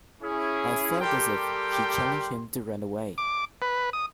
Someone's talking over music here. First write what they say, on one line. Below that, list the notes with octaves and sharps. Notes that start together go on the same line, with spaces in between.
I felt as if she challenged him to run away.
C#4 E4 G#4
G3 G4 A4 A#4 G5 C6
D6
B4
D#6